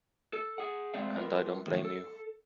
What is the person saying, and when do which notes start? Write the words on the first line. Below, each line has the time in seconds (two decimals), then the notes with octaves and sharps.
And I don't blame you.
0.33 A4
0.58 G#4 F#5
0.94 G#3 A3 C4 C5 D5 F5
1.16 G3 F4 A#4 B4
1.67 A2 D#3 F3
1.85 A4